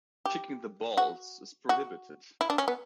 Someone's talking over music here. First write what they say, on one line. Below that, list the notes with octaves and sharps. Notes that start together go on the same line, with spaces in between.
Kicking the balls is prohibited.
G4
F#4
F#4
E4
D4
C#4
B3